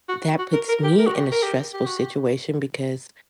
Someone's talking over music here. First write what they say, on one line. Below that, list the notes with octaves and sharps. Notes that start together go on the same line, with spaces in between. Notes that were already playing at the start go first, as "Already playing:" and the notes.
that puts me in a stressful situation, because
F#4
F#4
A#4
A#4
G4
A#4
F#4
G4
A#4
G4
G4
F#4
G4